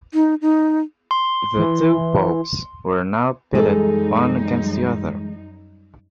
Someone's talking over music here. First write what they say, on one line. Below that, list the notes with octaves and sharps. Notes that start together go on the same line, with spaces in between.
The two Popes were now pitted one against the other.
D#4
D#4
C6
E3
F#2 E3 G3 G#3 D#4 G#4 A4